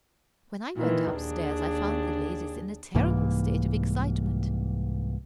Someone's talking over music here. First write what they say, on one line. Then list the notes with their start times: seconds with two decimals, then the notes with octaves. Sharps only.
When I went up-stairs, I found the ladies in a terrible state of excitement.
0.76 A#2 D#3 E3
1.13 D#2 D4 G#4
2.95 C2 G#2 E3 A#3